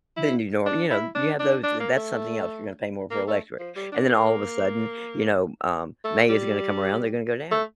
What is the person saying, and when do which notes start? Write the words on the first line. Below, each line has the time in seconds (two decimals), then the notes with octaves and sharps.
than you norm you know, you have those That's something else, you're gonna pay more for electric, and then all of a sudden, you know, um, May is gonna come around, they're gonna go down.
0.17 E4
0.66 D4
0.91 E4
1.15 D4
1.40 D4
1.64 D4
1.80 A#3
1.97 A3
3.11 A#3
3.28 A3
3.59 F3
3.76 G3
3.92 D4
4.08 A#3
6.04 A3
6.29 G3
7.51 A3